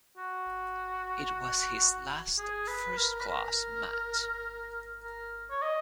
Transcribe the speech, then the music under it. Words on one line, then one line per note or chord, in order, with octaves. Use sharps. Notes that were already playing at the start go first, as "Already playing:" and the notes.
It was his last first-class match.
F#4
G#4
B4
A#4
B4
A#4
A#4
C#5
D#5